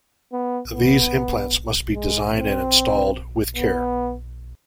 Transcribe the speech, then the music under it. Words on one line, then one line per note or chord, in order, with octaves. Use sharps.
These implants must be designed and installed with care.
B3
B3
G#3
C4
B3